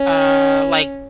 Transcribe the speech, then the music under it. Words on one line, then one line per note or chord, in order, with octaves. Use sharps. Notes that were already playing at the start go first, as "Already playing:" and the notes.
uh, like
Already playing: C#4